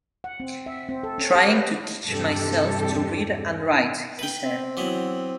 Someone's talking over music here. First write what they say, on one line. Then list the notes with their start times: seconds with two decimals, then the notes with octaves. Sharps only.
"Trying to teach myself to read and write," he said.
0.24 F#5
0.40 C4
0.66 E5
0.89 C4
1.03 A4
1.18 C#4
1.35 G4
1.48 B4
2.04 E2 G2 C3 D4 G4 A4
4.19 B4 G5
4.43 C4
4.77 E3 F#3 B3